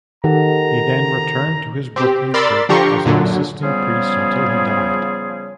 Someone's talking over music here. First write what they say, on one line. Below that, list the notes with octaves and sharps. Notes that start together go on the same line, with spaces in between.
He then returned to his Brooklyn church as an assisting priest until he died.
D#3 G4 A4 F#5 A#5
C4 G4
A#4 D5 B5 C6 E6 A6
D3 F3 G4 A#5 C6 C#6
F#2 A#2 D3 F#3
C#3 F3 G3 B3 G#4 C#5